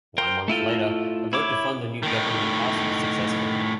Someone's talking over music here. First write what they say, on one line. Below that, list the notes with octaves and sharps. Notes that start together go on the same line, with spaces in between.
One month later a vote to fund a new government house was successful.
A#4 C5 G5
A3 E4 F4 A4
E4 C#5 D6
A2 D#3